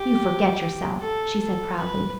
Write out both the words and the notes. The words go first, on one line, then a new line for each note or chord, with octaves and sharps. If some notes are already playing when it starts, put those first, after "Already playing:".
"You forget yourself," she said proudly.
Already playing: G4
A4
A4
B4